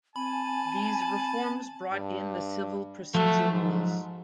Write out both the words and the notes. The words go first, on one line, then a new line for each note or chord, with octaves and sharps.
These reforms brought in the Civil Procedure Rules.
C4 G#5 A5 B5
G2
F3 F#3 A3
G#2